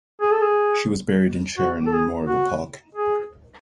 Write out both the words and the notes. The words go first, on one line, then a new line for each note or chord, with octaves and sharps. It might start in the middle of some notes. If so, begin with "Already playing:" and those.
She was buried in Sharon Memorial Park.
G#4
A4
G#4
F#4
A4
G#4
F#4
G#4